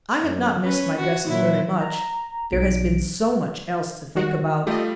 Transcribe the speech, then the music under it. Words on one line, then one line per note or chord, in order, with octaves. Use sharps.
I have not missed my dresses very much--there has been so much else to think about.
F#2
C#4 B4
F#4
A#2 F#3 E4
A#5
B1 D7
D#3 F#4
G3 A3 F4 G4 D#5